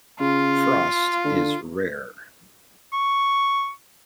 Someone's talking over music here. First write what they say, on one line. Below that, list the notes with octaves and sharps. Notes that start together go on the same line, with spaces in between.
Frost is rare.
C#3 F4
D3
C#6